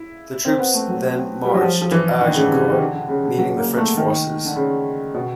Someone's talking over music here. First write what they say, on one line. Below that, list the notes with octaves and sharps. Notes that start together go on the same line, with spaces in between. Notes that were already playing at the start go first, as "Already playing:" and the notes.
The troops then march to Agincourt, meeting the French forces.
Already playing: E4
C4
B3
A3
F#3
G3
F#3
F3
F3
E3
D#3
D3
C#3
D3
C3
D#3
D3
D3
C#3
D3
F#3
A#3
A#3
A3
D#3
D3
C#3
B2